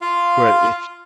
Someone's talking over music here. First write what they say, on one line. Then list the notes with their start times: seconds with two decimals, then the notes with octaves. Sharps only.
but y
0.02 F4 F5